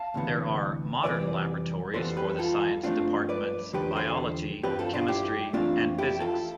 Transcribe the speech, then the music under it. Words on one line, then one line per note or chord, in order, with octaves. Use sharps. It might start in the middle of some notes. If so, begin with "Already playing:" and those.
There are modern laboratories for the science departments: Biology, Chemistry and Physics.
Already playing: F5 A5
D2 C3 E3 B3
F2 C3 E3 G3 C4 B4 D5
F2 E3 G3 B3 A4 C5
G4 B4
F4 A4
G2 F3 A3 C4 D4 F4
B4 D5
E2 D3 F3 G4 B4
A4 C5
G2 F3 C4 G4 B4
F4 A4
D4 F4
E4 G4
F2 E3 A3 C4 D4 F4
E4 G4
F4 A4